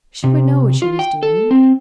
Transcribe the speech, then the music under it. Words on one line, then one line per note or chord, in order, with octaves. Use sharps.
She would know what she was doing.
C3
F4
G5
A4
C4